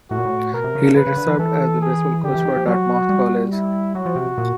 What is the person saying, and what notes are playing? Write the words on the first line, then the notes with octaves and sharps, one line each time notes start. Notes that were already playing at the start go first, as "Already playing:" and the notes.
He later served as the baseball coach for Dartmouth College.
A2 F#4
A#2
A2
B2 A#4
C3
C#3
D3
C#3 B4
C#3
D3
E3
E3 A4
G#4
D3 G4
E3
D#3
F3
F#3 F#4
G3
E4
F#3 F#4
F3
C3
A#2